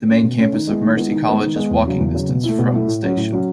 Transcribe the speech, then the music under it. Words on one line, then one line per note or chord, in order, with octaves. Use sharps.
The main campus of Mercy College is walking distance from the station.
A3 C#4
B2
A3 C#4
D#3
G#3 B3 E4
D#3
G#3 B3 E4
D#3
G#3 B3
D#3
G#3 B3
E2
C#3 F#3 C#4
E2
C#3 F#3 C#4
B2
A3 E4
B2
A3 E4
A2
F#3 C#4 F#4
A2
F#3 C#4 F#4